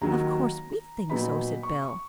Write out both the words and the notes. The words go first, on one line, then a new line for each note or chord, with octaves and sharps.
"Of course we think so," said Bell.
D#2 D#3 F#3 A#5
A#2 F#3 B3 D#4 B5
C#6
C#6